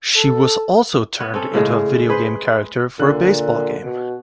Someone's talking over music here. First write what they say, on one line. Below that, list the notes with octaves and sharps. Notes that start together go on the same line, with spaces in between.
She was also turned into a video game character for a baseball game.
A4
B3 C#5
C4 C#4 A4
A2 C#3 G#3
G#4 B4 C5
A#2 D3 F#6
B2